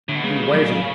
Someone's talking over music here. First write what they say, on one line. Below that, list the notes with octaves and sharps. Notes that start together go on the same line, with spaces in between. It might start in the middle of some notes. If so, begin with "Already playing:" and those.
He waited.
A2 D3
B2
C#3 G#3 B3
F#3 A3